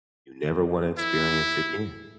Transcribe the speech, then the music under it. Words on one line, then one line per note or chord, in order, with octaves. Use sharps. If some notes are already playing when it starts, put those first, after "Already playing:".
you never wanna experience again.
E4